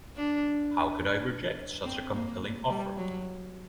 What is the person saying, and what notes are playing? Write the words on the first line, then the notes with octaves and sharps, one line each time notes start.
How could I reject such a compelling offer?
D4
C4
A#3
G3
F#3